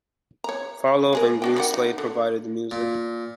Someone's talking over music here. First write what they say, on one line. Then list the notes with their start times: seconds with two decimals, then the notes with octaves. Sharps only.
Farlowe and Greenslade provided the music.
0.44 C#5 A#5
1.13 G#3 G#4 A#4
1.42 D4 F#4 G5
1.56 D#3 G3 F#5
1.74 D#4
1.98 D3
2.71 A#2